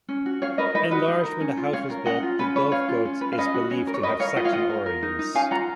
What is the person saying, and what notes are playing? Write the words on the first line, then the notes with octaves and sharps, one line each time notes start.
Enlarged when the house was built, the dovecote is believed to have Saxon origins.
C#4
F#4
C#4 C#5 F5
A#4 B4 D#5
D#4 B4 D#5
F#4 B4 D#5
D#4
A#4
C#4
F4
C#4 C#5 F5
A#4
C#4 D#5 F#5
F4
C#4 B4
B4 C#5
C#4 C#5 F5
F4
C#4
B4
F5
C#4 B4 D#5
F#4
C#4
A#4
C#5
A#4 B4 D#5
A#4 C#5 F5
F4 D#5 F#5
C#5 F5
F4 D#5 F#5
A#4
A#4
D#4
D#4
C#4 F5 G#5
F4 F#5 A#5